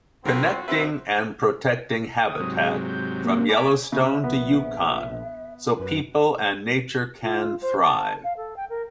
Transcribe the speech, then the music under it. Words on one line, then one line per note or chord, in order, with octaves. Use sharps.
Connecting and protecting habitat from Yellowstone to Yukon so people and nature can thrive.
B1 D3 F3 C4 F#4 A#4 B4
F#2 C4 B4 E5
D#6
G#2 C3 F#3
G#4
G6
A#3
D5 G#5 B5 D6
C#3 E5
A#1 B3
F#2 B4
F4
C5
A5
F5
A4
G5
A#4